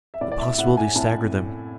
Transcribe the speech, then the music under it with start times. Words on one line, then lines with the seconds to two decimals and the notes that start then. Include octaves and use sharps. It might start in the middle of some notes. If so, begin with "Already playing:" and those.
The possibility staggered them.
0.14 E5
0.21 A2 D5
0.32 D5
0.40 E5
0.53 E5
0.58 A2 F#5
0.77 G#5
0.96 A2 A5